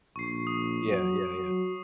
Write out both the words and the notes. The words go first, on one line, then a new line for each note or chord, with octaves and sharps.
Yeah, yeah, yeah.
A#1 C#6 C7
D#6
F#3
F#3